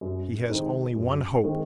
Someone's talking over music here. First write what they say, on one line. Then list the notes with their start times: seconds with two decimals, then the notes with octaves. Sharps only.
He has only one hope.
0.01 F#2
0.49 D#3 G#3 C4 D#4
0.96 F#2
1.43 D#3 G#3 C4 D#4